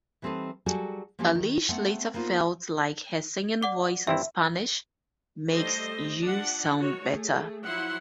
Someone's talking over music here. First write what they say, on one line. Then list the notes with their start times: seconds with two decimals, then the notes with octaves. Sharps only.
Eilish later felt like her singing voice in Spanish "makes you sound better".
0.22 E3 G3 C4 D#4 A4 B4
0.66 F#3 G3 F#4 G#4 A4
1.19 F3 A#3 B3 C#4 G4
1.35 D#3
1.69 A3 B3 C4 F#5
2.14 A#3 B3 D#4 F4 C5
3.63 D5 F#5 D6
4.07 G2 C4 E4 E5
5.52 G3 A3 A4 C5 D#5
6.21 D4 F4 F#5
6.78 D#3 F#4 C#5
7.08 A3 G#4
7.65 F3 F#3 E4 E5 F#5 C6